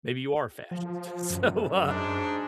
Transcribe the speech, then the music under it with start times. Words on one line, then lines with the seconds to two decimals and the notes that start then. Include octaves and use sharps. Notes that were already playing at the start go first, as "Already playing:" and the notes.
Maybe you are a fascist." So, uh,
0.71 F3
1.30 F#2
1.89 G#2 D4